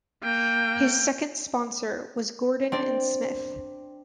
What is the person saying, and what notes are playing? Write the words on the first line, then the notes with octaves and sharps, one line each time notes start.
His second sponsor was "Gordon and Smith".
A#3 G5
C4 D4 D5